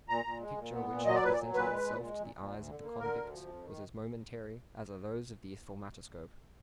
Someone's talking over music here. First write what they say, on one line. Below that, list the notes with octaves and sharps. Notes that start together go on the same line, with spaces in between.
The picture which had presented itself to the eyes of the convicts was as momentary as are those of the thaumatoscope.
A#2 A#5
A#2
G#3
A#2
B3
A#2
F#3 D#5
D5
A#2 B4
D5
F#3
A#2 B4
G#3
A#2
G#3
A#2
A#2
D2
D3
A#3
D3 A#4
D2
F3
F2
D#3